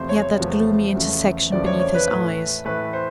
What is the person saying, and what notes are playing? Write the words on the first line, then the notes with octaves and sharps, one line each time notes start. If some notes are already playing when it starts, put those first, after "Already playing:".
He had that gloomy intersection beneath his eyes.
Already playing: E2 C3 F3 A3 C5
C#5
E2 C3 F3 A3
E2 C#3 F3 A3
E2 C#3 F3 A3 D5
C#5
C#5
B4
A2 E3 A3
A2 E3 A3 B4
C5